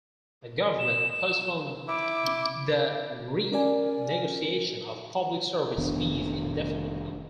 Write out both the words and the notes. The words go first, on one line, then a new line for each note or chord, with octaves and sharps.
The government postponed the renegotiation of public service fees indefinitely.
E7
E4 D6
C#4 A#4 D5 G#5
F1 D#3 B3 D4